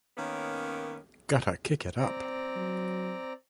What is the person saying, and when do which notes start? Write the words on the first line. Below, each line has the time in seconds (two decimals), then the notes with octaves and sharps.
Gotta Kick It Up!
0.17 D#3 A#3 B3 C#4
1.99 C4 D5 A#5
2.55 F#3